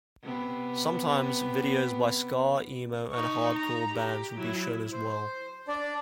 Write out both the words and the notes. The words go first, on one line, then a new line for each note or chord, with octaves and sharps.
Sometimes, videos by ska, emo, and hardcore bands would be shown as well.
C3 B3
D#4 C#6
A#5
G4
F#3 E4
C5
D4 D5